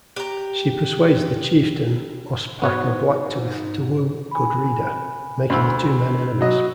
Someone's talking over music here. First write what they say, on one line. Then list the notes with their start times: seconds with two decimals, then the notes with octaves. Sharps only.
She persuades the chieftain Ospakar Blacktooth to woo Gudrida, making the two men enemies.
0.16 G4 A#5
2.62 G#2 B3 F#4 C#5
4.31 G#5 B5
5.50 D2 B5 E6
6.41 F#3 D#5